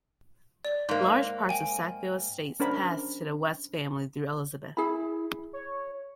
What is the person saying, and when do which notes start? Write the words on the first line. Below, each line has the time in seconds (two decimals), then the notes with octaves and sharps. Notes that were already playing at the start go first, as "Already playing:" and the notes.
Large parts of the Sackville estates passed to the West family through Elizabeth.
0.65 D5
0.89 G#2 A#3
1.49 G5 G#5
2.60 C#4 D4 A#4 C5 B5
4.77 E4 G#4 B5
5.53 C#5